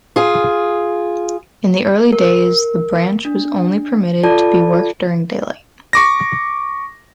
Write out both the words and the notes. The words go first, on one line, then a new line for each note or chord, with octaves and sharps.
In the early days the branch was only permitted to be worked during daylight.
F4 G#4
A#4
D4
F4 A4 D5 A5
C#6 D6 A#6